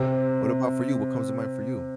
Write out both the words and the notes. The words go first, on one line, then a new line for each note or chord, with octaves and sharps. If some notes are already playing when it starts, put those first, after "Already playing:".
what about for you? What comes to mind for you?
Already playing: C3